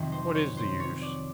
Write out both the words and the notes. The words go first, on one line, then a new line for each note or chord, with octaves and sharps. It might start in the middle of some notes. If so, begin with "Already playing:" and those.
What is the use?
Already playing: F2 C3 D#3 F#3
C5
C#5
C5
C#5
D5